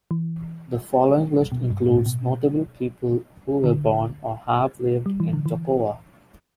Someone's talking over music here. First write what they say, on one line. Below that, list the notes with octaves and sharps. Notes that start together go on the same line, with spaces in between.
The following list includes notable people who were born or have lived in Toccoa.
E3
B2
G2
A2
A2
B2
D3
G3
E3
D3
E3